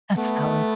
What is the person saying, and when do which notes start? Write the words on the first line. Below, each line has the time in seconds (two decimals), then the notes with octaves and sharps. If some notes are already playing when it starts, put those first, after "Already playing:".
That's valid.
0.16 A3 B3